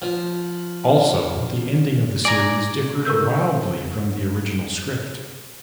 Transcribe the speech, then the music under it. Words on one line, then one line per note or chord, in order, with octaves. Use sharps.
Also, the ending of the series differed wildly from the original script.
F3
D5 G#5 A#5
C#3 A4 A#4 E6 G6